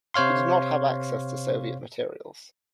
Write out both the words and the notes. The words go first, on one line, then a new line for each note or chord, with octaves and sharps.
He did not have access to Soviet materials.
C3 C5 C#5 F5 C6